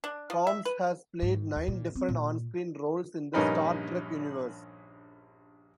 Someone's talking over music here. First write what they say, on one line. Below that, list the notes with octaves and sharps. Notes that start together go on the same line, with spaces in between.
Combs has played nine different onscreen roles in the "Star Trek" universe.
D4
F3
E5
B4
G#2
D#2
A#2
C4
A#2
A#1 G2 C#4 D#4 A#4 B4